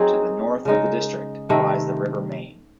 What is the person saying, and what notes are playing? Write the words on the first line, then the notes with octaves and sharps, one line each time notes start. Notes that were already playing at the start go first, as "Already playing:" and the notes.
To the north of the district lies the River Main.
Already playing: F#3 C4 D#4 G#4
C#3 G#3 D#4
C3 D#3 A3 C4